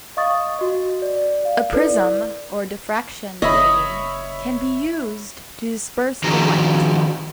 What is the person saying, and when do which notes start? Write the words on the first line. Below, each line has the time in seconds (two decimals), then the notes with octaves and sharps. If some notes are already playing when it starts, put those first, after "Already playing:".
A prism or diffraction grating can be used to disperse the light.
0.17 D#5 F5 C#6 D#6 A6
0.59 F#4 D#5
1.02 D5
1.45 F5
1.72 E4 A4 B4 D5
3.42 F#1 C#5 D#5 E5 B5
6.23 D#3 F3 D4 F#4 G#4 A#5